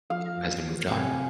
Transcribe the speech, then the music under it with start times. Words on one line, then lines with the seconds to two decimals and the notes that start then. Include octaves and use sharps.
you guys have moved on.
0.10 F3 F5
0.91 C3 G#5